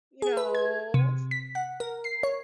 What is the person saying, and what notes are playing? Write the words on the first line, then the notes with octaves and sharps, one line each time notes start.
you know
G#4
B4
G#6
C3
B6
F#5
A#4
C7
C#5